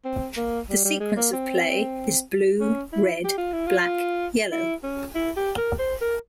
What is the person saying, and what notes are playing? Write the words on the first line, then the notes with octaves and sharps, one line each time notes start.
The sequence of play is blue, red, black, yellow.
C4
A#3
G3
G3
G#3
A#3
C4
C#4
E4
G4
F4
E4
F4
E4
C#4
E4
G4
A#4
C5
A#4